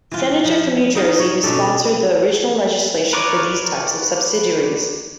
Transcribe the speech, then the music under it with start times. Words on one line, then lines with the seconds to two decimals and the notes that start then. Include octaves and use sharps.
Senator from New Jersey who sponsored the original legislation for these types of subsidiaries.
0.12 E3 F4
0.45 F3
0.95 F#3 D#4 F5
1.19 C#5
1.43 B2 C#4 D4 A4
3.13 A#4 B4 C#5 D5